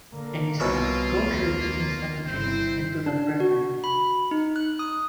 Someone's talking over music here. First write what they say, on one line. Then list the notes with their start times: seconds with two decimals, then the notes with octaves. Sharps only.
And he said, Go show these things unto James, and to the brethren.
0.13 D3 A#3
0.60 C2 B2 A#3 C#4 E4 F4
1.23 D#2
2.26 G1 C4 E4 C5
3.06 D4
3.40 F#4
3.84 B5
4.31 D#4
4.56 F#6
4.79 D#6